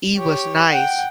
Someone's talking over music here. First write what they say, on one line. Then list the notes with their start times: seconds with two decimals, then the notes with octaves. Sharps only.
E was nice.
0.16 G4 C#5
0.69 F#5 G5